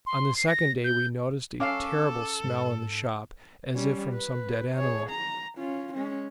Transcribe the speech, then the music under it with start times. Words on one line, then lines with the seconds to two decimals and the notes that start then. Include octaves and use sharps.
On the second day we noticed a terrible smell in the shop, as if from some dead animal.
0.06 C6
0.37 C7
0.48 A#6
0.84 G6
1.60 C#4 A4 F5 D6
2.44 G#2
3.74 G3 C#4
4.13 B4
4.76 G#4 C#5
5.10 A#5
5.57 C#4 F4
5.94 G#3 C#4